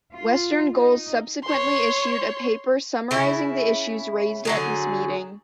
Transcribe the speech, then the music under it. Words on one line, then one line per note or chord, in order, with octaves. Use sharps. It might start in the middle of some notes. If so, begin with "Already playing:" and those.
Western Goals subsequently issued a paper summarising the issues raised at this meeting.
F4
D#4
C#5 C6
C#3 E4
D3 F#3 G#4